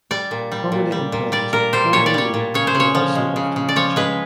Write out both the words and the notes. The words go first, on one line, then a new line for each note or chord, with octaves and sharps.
Comedy and plays-old and new-were also often featured.
G3 D5
A#2
G3
A#2
G3
A#2
G3 D5
A#2 A#4
G3 C5
A#2 C#5
D5
G3 C#5
A#2
C#3 C#5
C5
C#3
C#5
F3
G#3
C#3
C#3
D5
F3 C#5
G#3 B4